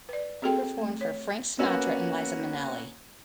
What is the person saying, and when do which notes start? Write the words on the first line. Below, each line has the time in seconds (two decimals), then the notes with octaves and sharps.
He performed for Frank Sinatra and Liza Minnelli.
0.09 B4 D5
0.42 C4 F#4 G#4 A4 G5
0.78 A3
1.01 C#5
1.59 A#3 B3 C#4 F#4 F#5 E6